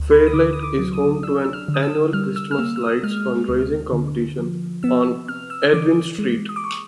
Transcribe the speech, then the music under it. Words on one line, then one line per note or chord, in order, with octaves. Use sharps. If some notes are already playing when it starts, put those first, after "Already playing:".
Fairlight is home to an annual Christmas Lights fundraising competition on "Edwin Street".
Already playing: D2
B5
D#6
D3 D6
D#6
D6
F#3
D#6
D4 E6
E6
F6
D3
D#6
E6
G3 F6
E6
F6
A#3 E6
E6
D#6
G#3 F6
D2
D3
F3
B3 E6
C3 F6
E6
D#6
E3 D6
G#3
D#6
D6
C#6